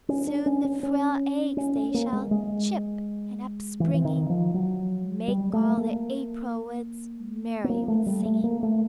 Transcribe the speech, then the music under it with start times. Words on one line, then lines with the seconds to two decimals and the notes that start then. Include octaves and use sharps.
Soon the frail eggs they shall Chip, and upspringing Make all the April woods Merry with singing.
0.09 C#4
0.27 D4
0.46 C#4
0.65 C#4
0.83 C#4
1.57 C#4
1.75 C#4
1.94 A#3
2.13 G#3
2.31 G#3
3.80 E3
3.94 E3
4.05 D#3
4.30 F3
4.54 F#3
5.28 G3
5.53 A3
5.77 A#3
7.64 B3
7.70 A#3
7.88 A3
8.06 G3
8.25 A3
8.44 A#3
8.63 A3